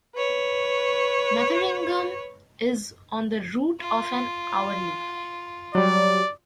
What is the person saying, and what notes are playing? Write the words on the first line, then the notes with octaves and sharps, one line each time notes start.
Metheringham is on the route of an hourly.
B4 C#5
F4
F#3 G3 D5